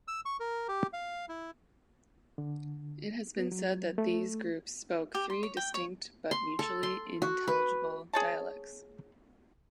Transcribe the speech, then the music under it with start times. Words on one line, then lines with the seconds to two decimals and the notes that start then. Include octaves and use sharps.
It has been said that these groups spoke three distinct but mutually intelligible dialects.
0.08 E6
0.25 C#6
0.40 A#4
0.68 G4
0.93 F5
1.29 E4
2.38 D3
3.37 B3
3.52 F#3
3.98 A3
5.15 G4
5.30 C6
5.43 C#5
5.57 G5
5.74 C#5
6.31 C6
6.59 A4
6.83 C6
7.22 F#4
7.48 B4
8.13 G#4 C#5 A5